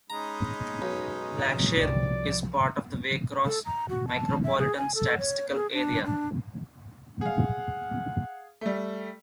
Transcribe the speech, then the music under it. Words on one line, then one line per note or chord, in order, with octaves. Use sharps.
Blackshear is part of the Waycross Micropolitan Statistical Area.
G#3 C#4 D#4 A#5 B5
B1
C2 F3 D5
A4
A#5
F#4
A5
E5
G#4
G#5
A4
C#5
G#4
D4
D4
G#4 F5 F#5
G3 A3